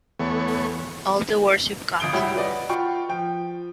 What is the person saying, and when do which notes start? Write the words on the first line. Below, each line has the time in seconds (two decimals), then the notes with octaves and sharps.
All the words you've got.
0.19 E2 A3 B3 C#5
2.00 G1 D#6 D7 G7
2.13 C2 G3 E4 F#4 C#5 B5
2.35 F#4 B4 D5 D#5
2.69 F4 F#4 G5 B5 C#6
3.09 F3 G5